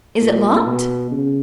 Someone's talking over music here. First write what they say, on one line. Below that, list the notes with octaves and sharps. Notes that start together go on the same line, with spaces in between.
"Is it locked?"
A#2
B2
C#3